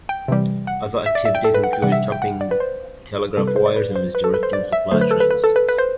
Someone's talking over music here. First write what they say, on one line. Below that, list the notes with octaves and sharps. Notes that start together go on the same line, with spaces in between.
Other activities included tapping telegraph wires and misdirecting supply trains.
G5
C3 E3 G3
F#5
E5
D5
E5
G5
A4
B4
F#5
G5
C3 E3 G3 F#5
E5
G5
F#5
D5
B4
C5
C3 G3 A4
B4
C5
D5
B4
C5
B4
A4
B4
C5
D5
E5
D3 F#3 A3 C5
B4
A4
B4
B4
A4
B4
B4
C5